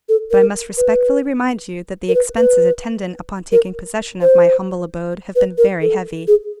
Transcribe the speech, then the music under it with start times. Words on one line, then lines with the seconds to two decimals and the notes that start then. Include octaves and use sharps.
But I must respectfully remind you that the expenses attendant upon taking possession of my humble abode have been very heavy.
0.09 A4
0.31 A#4
0.77 B4
2.08 A#4
2.14 B4
2.37 B4
3.52 A#4
4.22 C5
5.36 B4
5.58 A#4
5.82 A4
6.28 G#4